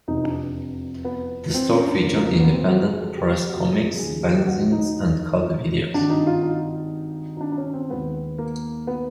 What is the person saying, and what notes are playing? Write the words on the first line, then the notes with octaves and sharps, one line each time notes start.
The store featured independent press comics, fanzines and cult videos.
F1 E2 C3 F3 D#4
D4
B3
C4
C#4
D4
F1 F2 C#3 F3 A#3
A#3
A#3
B3
C4
F#4
G#4
A4
G4
G4
F#4
G#4
D#2 C#3 F3 A3 G#4
G4
F#4
D#4
G#1 G2 D3 D4
D#4
F4
D#4
D#4
D4
D4
C#4
C4
D#2 D#3 G#3 B3
A#3
B3